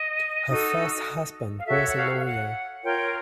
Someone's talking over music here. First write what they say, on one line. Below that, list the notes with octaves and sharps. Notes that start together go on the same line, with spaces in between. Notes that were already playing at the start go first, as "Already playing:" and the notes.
Her first husband was a lawyer.
Already playing: D#5
D#4 F#4 A4
F5
F#4 A4 C#5 E5
F#5
F5
F5
F#5
F4 A#4 C#5 G5